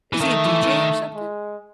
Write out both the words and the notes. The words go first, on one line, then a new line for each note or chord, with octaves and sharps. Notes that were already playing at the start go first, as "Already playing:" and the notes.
Is he a DJ or something?
E3
D#3 A3
E3
E3
D#3
G#3